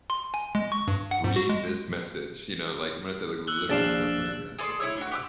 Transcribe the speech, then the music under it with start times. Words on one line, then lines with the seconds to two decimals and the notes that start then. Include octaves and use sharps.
"Read this message," you know, like, I'm gonna have to, like, literally start putting that stuff in there.
0.10 C6
0.34 G#5
0.55 G#3
0.72 C#6
0.88 G2
1.11 F#5
1.24 G#2
1.36 F#4
1.49 G#3
3.47 E6 F#6 G7
3.70 A#1 D4 F5 A6 D7 E7
4.58 G#4 A4 D5 C6
4.80 E4 G#4 C#5 E6
4.97 D4 F#4
5.12 G4 D6 E6